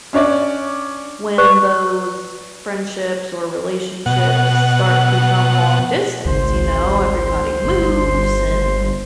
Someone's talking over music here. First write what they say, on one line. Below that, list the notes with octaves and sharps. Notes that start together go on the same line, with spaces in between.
when those friendships or relationships start to become long distance, you know. Everybody moves and
C#4 D4 C#5 D5
B4 D5 C#6 F#6
B2 F#5
G#1 C#2 C5 C6
G1